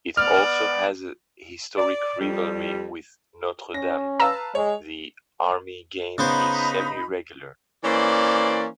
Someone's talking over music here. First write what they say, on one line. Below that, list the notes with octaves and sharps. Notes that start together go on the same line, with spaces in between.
It also has a historic rivalry with Notre Dame; the Army game is semi-regular.
B3 D5 F6
D5
F2 G3
C#4 A#6
B4 F5 A5 A#5 E6
G#3 C#5
C#3 B3 D#4 C5 B5
E3 A#3 C#4 C5 D5